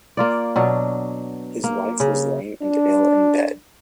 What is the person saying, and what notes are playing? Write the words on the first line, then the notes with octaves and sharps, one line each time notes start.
His wife was lame and ill in bed.
A#3 F4 D5
B2 F#3 D4
A#3
C#3
D4